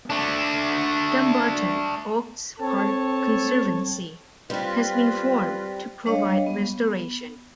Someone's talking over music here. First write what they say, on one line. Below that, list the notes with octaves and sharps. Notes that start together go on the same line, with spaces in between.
Dumbarton Oaks Park Conservancy has been formed to provide restoration.
A3 D4
C4 A4 C#5 A5
G3 C4 F4 B4
G3 D4 C#5 D#5 F5
B3